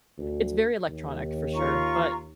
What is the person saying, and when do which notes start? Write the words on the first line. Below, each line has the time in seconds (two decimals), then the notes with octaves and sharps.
it's very electronic for sure, but
0.18 D2
0.87 D#2
1.55 F4 A#5 C#6